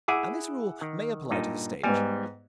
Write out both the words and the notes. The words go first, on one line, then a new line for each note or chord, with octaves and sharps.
And this rule may apply to the stage.
E4 G#4 F#5 D6 E6
D#3
G2 A#2 D#4
G#2 G3 B3 G#5